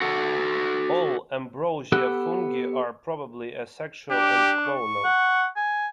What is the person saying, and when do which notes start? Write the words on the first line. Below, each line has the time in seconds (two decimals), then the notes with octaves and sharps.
All ambrosia fungi are probably asexual and clonal.
0.01 F#4 A4 F#5
1.92 B3 G4 A4 E6 F#6
4.11 D4 G4
4.64 C#6
5.04 F#5
5.56 G#5